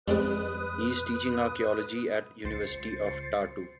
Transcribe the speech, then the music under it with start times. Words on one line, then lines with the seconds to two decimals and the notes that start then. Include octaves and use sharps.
He is teaching archeology at University of Tartu.
0.08 F2 G3 G#3 C4 B4 D#6
2.45 C#2 C5 A6 C7 C#7